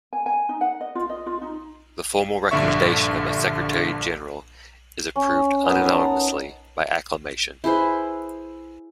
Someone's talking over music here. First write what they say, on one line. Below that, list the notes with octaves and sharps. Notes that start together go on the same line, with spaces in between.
The formal recommendation of a Secretary-General is approved unanimously by acclamation.
G#5
G#5
D#4
F#5
D#5
F4
D#5
F4
D#4
A#1 G2 D3 D5 E5 C#6
C#4
B3 D#4 A#4
A#4 F#5 A5 A#5
E4 G#4 B4 C5